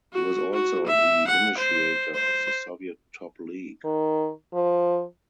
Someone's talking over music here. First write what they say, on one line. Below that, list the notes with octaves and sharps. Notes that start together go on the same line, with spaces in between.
He was also the initiator of the Soviet Top League.
F#4
F#4
E5
F#5
C5
C5
D#3
F3